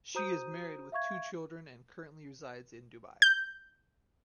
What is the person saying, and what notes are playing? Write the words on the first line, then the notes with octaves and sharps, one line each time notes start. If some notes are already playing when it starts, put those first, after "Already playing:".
She is married with two children and currently resides in Dubai.
F#4 C5 A#5 D#6 G6 D#7
E5 F5 C#6 G#6
G6